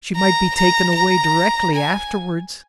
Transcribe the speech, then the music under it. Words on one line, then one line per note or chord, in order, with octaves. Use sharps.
She might be taken away directly afterwards.
A#5
A#5
A#5
G#5